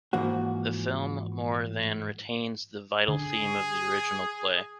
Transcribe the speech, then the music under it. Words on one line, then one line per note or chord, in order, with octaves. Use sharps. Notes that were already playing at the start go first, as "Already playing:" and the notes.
The film more than retains the vital theme of the original play.
G#2 E3 F3 A#3 F#4
D3 G#4